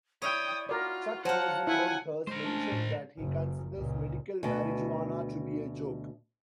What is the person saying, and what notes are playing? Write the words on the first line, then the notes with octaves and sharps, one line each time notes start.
Chuck Rosenberg has mentioned that he considers medical marijuana to be a joke.
E4 C#5 D5 G5 D#6
F4 F#4 A#4 D5
F#3 F4 C5 F#5 A5
E4 E5 F#5 G#5
G#3 A#4 C5
A3 C#4 D4
A2
F#1
C#2 A#2
D2 B2